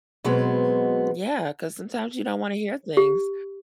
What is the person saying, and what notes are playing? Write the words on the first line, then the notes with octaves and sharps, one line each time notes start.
Yeah, 'cause sometimes you don't wanna hear things.
B2 F#3 G#3 B3 C4
G4